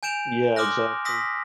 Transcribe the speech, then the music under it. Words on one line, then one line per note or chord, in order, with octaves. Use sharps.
Yeah, exactly.
G#5 G6 D7 E7 F7
C6 D6 D#6 F6 F#6 A#6
C6 D#6 E6 A#6 B6